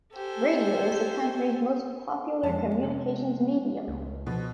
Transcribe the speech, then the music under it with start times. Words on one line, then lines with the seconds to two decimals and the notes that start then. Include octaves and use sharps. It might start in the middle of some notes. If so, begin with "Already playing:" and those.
Radio is the country's most popular communications medium.
0.15 G4 A4 C5 G#5
2.43 F2 F3 G#3 A5
2.83 C3
3.88 C#2
4.27 B2 F3